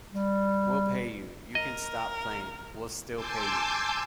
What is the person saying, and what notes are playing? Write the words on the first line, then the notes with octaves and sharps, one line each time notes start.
We'll pay you, you can stop playing, we'll still pay you!
G3
A#4 D#5
G#5 A5 C6 D6 E6 G6